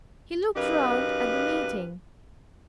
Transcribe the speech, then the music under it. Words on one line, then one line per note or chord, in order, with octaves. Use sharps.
He looked round at the meeting.
F#2 D#4 G4 B4 F5